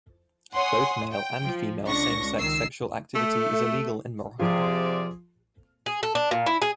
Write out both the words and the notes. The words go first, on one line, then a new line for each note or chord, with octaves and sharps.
Both male and female same-sex sexual activity is illegal in Morocco.
C#5 F#5 G#5 C6 D#6
G5
F3
C#2 D4 C#6 A#6
C#2 D#3 E6 C7
A3
C3 F3 F4 G#4 D5
G#4
A4
D4
A#2
E4
G#4